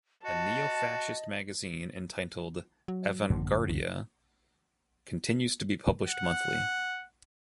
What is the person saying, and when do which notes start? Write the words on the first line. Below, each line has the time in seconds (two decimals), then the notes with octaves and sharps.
A neofascist magazine entitled "Avanguardia" continues to be published monthly.
0.25 F#4 D#5 A5
2.88 F#3
3.30 A1 F#2 D3 A#3
3.69 C#2
6.07 F#5